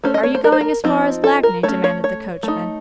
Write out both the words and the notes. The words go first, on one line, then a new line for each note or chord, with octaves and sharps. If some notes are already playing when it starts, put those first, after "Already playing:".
"Are you going as far as Lagny?" demanded the coachman.
A3 C#4 C5
D#5
C#5
C5
A#4
C5
A#4
F3 C4 D#4
A4
A#4
A3 C#4 C#5
C#5
C#5
A3 D#4